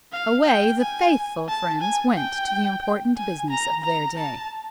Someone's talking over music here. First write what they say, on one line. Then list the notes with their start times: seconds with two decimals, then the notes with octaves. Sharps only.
Away the faithful friends went to the important business of their day.
0.13 F5
0.47 G5
0.81 G#5
1.49 A5
1.82 G#5
2.16 G5
3.17 G#5
3.51 A#5
3.84 A#5
4.18 A5